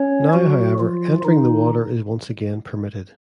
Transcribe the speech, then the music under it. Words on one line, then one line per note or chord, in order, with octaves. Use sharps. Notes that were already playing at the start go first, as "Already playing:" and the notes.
Now, however, entering the water is once again permitted.
Already playing: C#4 C#5
F#3 F#4
F3 F4
D#3 D#4